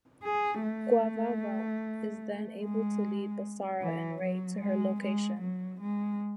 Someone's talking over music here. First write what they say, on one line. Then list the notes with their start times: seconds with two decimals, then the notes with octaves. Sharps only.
Guvava is then able to lead Basara and Ray to her location.
0.24 G#4
0.63 A3
2.63 G#3
3.82 E3
4.22 F#3
4.62 G#3
5.02 G#3
5.41 F#3
5.81 G#3